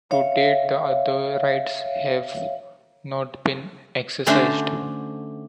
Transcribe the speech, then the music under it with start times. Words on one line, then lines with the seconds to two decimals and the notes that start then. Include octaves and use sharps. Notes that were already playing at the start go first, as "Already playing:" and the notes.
To date the other rights have not been exercised.
0.11 C#5 E5 F5
4.26 D3 A3 C#4 D4 F#4 C5